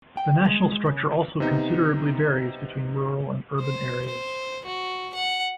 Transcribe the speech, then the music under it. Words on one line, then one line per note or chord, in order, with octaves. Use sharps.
The national structure also considerably varies between rural and urban areas.
G5
G#3
C#3
C3 B3 D#4
C5
C5
F#4
F#5